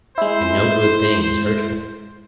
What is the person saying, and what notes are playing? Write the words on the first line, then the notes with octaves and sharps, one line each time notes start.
And no good thing is hurtful?
G#3 E4 C5